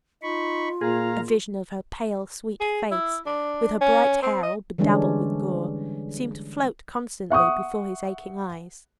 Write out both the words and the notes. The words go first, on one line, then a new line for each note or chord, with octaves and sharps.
A vision of her pale, sweet face, with her bright hair all bedabbled with gore, seemed to float constantly before his aching eyes.
D#4 F4 B5 C#6
A#2 G#4 F5 A#5
G#4
E4
D4
C#4
C4
D#5
D3 E3 G3 G#3 C#4 D4
E5 F#5 C#6 D#6